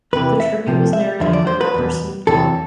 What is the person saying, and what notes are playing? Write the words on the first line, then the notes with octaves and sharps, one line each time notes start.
The tribute was narrated by rapper Snoop Dogg.
E2 C3 E3 B4
E5
C2 C3 F3
E5
E2 D3 F3 E5
D5
C5
B4
E2 B2
E2 C3 E3 A4